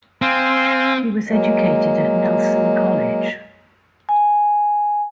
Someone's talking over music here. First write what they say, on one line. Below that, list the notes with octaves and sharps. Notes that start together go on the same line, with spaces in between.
He was educated at Nelson College.
C4 F5 G#5 C6
F#3 G#3 A#3
G#5